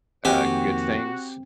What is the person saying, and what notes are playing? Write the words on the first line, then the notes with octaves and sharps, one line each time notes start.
uh, good things.
F2 D#3 A#3 C4 F#4 G4 G5 G#5